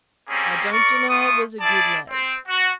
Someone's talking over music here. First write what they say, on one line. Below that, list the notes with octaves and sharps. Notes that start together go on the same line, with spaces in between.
I don't deny it was a good lay.
G3 A#3 C4 C#4 G#4
A#4 D5 C#6
A3 F4 C#6 D#6
E4 G#4 D5 A5
C4
F#4 F#5